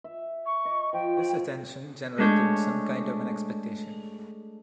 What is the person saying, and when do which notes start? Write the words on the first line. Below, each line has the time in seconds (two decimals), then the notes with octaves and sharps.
This attention generated some kind of an expectation.
0.04 E5
0.46 C#6
0.65 D#5
0.93 F3 G5
2.18 G#3 A3 D4 C#5 G6